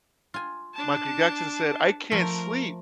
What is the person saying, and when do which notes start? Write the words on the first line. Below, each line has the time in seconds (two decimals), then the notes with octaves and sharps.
Michael Jackson said, "I can't sleep
0.34 F4 G#5
0.74 D4 A5
2.11 F3 A3 A#4